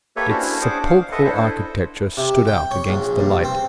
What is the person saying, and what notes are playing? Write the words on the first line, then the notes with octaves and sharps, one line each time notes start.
Its sepulchral architecture stood out against the light.
A#3 G4 A4 B4 C#5 E5
C#4 D4 E4 F#4 C5
D4 G#4 C5 F#5 D6
F5
A4 B4 D#5 E5 F#5
D4 E4 A4 C5
C3
G5
C#5
A#1
G2
C4